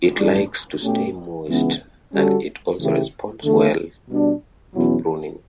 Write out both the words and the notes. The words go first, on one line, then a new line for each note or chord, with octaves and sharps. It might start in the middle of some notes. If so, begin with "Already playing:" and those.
It likes to stay moist and it also responds well to pruning.
A1 A2 G3 D4
B2 A3 C#4 G4
C#2 C#3 E3 B3
D3 G3 C#4 F#4 A4
C#3 E3 A3 E4 G4
E2 D3 A3
B2 G3 D4
E2 B2 F#3 C#4 E4